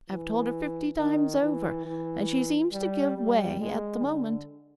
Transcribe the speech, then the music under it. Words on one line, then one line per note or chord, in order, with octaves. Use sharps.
I have told her fifty times over, and she seems to give way at the moment.
E3
D#3
E3
E3
G3
G3
G#3
D3